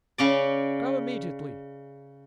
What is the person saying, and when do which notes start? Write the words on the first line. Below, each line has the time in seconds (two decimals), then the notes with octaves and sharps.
Go immediately.
0.18 C#3 C#4 D5